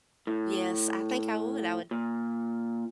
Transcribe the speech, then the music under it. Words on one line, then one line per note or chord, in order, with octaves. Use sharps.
Yes, I think I would I would
A2
A#2